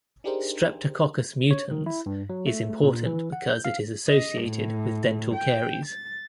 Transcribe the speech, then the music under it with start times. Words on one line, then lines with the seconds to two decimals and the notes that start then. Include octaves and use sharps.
"Streptococcus mutans" is important because it is associated with dental caries.
0.24 D4 D#4 G4 G#4 A#4 C5
1.51 C#5
1.71 D#3
1.86 E4
2.06 G2
2.30 F#3
2.47 A3
2.83 A#2
3.06 E3
3.32 F#5
3.49 G6
3.65 F5
4.07 D#5
4.42 A2
5.35 G5
5.86 A6